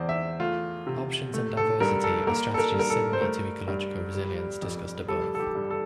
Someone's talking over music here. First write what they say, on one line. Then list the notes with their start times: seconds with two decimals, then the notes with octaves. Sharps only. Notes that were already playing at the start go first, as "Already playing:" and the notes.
Options and diversity are strategies similar to ecological resilience discussed above.
Already playing: E2 C5 D5
0.09 E5
0.40 A3 F4
0.87 C3
1.34 A3
1.57 A4
1.80 G2 A#4
2.04 A4
2.27 A#3 A#4
2.54 A4
2.58 A#4
2.74 G2
2.79 A#4
2.90 A4
3.13 C5
3.21 A3 A#4
3.68 G2
4.15 G3
4.62 F2
5.08 G3 A4
5.35 A4
5.40 G4
5.55 G2
5.70 A4